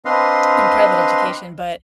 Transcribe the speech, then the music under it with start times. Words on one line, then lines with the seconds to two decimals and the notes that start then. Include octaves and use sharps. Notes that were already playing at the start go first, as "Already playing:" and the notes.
in private education, but
0.05 C4 D4 B4 D#5 F5 C6